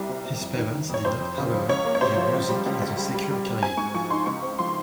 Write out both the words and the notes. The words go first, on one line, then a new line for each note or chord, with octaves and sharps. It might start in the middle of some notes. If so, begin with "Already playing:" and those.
His parents did not, however, view music as a secure career.
Already playing: C2 G3
C3
C2
F2
D#3
D#3
F2 C#5
F2 C5
F2
C#3
F3
C#2 C#5
A#3
C#5
C3 C5
F3
C#2
G3
C#2
C#2
G3
G3
G3
G3
C4 G#5
G#2 C#6
F3 C#6
D#4 C6
C#2 C#6
C4
F3 C6